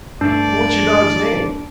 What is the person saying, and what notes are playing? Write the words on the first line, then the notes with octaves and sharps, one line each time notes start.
"What's your dog's name?"
G2 A3 D4 D5